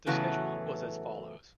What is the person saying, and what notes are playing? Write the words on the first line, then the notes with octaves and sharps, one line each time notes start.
The schedule was as follows.
A2 C#3 E3 F#3 A3 B3